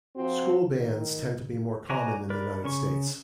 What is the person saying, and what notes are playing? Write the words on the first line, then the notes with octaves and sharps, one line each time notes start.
School bands tend to be more common in the United States.
F2 F3 C4 F#4
D#3
F#4 D5 G#5 A#5
A#4 B4 D5
C#3 C#4 C#6